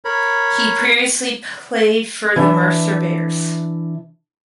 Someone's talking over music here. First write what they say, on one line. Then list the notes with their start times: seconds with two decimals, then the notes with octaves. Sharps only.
He previously played for the Mercer Bears.
0.05 A#4 C#5 B5
2.36 E3 D4 E5